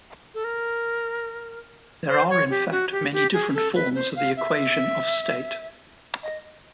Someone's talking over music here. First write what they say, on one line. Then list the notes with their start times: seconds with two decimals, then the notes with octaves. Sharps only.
There are in fact many different forms of the equation of state.
0.34 A4
0.44 A#4
2.09 C5
2.30 C#5
2.50 G4
2.71 F#4
2.92 G4
3.12 G4
3.33 G#4
3.54 A4
3.75 B4
3.95 C5
4.16 F5
4.37 E5
6.23 D#5